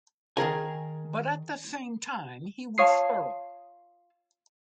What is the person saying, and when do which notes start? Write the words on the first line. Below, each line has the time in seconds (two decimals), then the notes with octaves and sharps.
But at the same time, he was thorough.
0.37 D#3 G#4 A#4 G#5
2.78 F4 C#5 F5 A5 D#6 C7